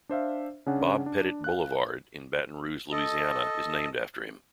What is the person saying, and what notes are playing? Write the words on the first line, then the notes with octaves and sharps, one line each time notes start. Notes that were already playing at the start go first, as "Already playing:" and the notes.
"Bob Pettit Boulevard" in Baton Rouge, Louisiana is named after him.
D4 C5 E5 F5
C#3 C#4 D4 F#5
D4
F5 F#6
A4 D#5